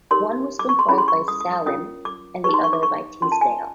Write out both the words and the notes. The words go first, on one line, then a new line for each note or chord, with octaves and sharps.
One was controlled by Saleam and the other by Teasdale.
D#4 G4 A#4 C#5 C6
D6
C#6
C6
C#4 E4 G#4 B5
C6
C#6
D#6
D#6
D#6
C#4 F4 A#4 C#5 D#6
D6
D#4 G#4 B4 C#6
C6
C#6
D6
C#6
C#4 F4 A#4 C6
A5
G#5